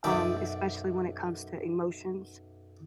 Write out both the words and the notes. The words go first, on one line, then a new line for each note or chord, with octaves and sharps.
um, especially when it comes to emotions.
B1 F#2 D5 E5 G5 D6